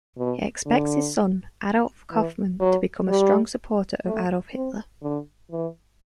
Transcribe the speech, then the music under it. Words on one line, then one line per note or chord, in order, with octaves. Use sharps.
He expects his son, Adolf Kaufmann, to become a strong supporter of Adolf Hitler.
B2
D3
E3
F#3
G3
A3
C4
D3
E3